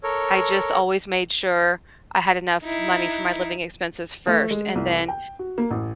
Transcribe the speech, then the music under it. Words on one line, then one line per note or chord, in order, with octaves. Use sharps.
I just always made sure I had enough money for my living expenses first and then
A4 A#4 C#5
D#4 E4
A3
G#3
C2
G5
F#4
A#3
A1